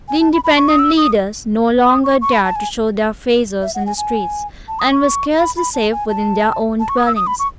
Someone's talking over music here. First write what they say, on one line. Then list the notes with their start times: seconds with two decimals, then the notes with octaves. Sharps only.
The Independent leaders no longer dared to show their faces in the streets, and were scarcely safe within their own dwellings.
0.08 G#5
0.21 A5
0.33 B5
0.44 B5
0.57 C#6
0.68 D#6
0.79 E6
0.97 D#6
1.86 D#6
2.04 C#6
2.21 C#6
2.33 B5
2.45 A5
2.56 G#5
3.62 E5
3.75 F#5
3.86 G#5
3.97 G#5
4.68 A5
4.79 D#6
4.92 C#6
5.39 B5
5.57 B5
5.74 A5
5.92 G#5
6.09 A5
6.80 A5
6.89 C#6
6.98 D#6
7.06 E6
7.16 D#6
7.27 B5
7.39 C#6